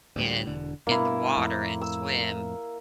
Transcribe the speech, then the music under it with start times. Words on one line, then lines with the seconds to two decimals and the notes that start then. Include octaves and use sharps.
in in the water and swim.
0.16 D2 A2 G3
0.47 E1 D3
0.87 G2 B2 A#3 E4
1.37 F2 A2
1.81 E6